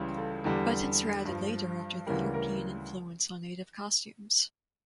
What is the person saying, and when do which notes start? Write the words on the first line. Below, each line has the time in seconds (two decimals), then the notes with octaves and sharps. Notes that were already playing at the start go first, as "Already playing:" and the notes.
Buttons were added later after the European influence on the native costumes.
Already playing: C#2 C#3 E3 G3
0.18 A4
0.44 E2 D3 G3
1.25 G2 F3
2.06 D2 C#3 E3 G3 A#4
2.34 A#4